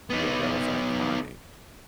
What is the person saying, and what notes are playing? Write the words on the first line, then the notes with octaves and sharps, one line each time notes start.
Yeah, that was iconic.
B3 D#4